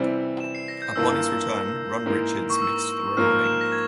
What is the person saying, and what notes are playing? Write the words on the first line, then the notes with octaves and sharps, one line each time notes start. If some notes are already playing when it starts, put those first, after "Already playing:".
Upon his return, Ron Richards mixed the recording.
Already playing: C3 E3 G3 C4
E7
C7
A#6
G6
G2 E3 A#3 F4 E6
E6
G#2 E3 A#3
C#6
E6
G#2 F3 A#3 F4 F6
E7
A#6
G#6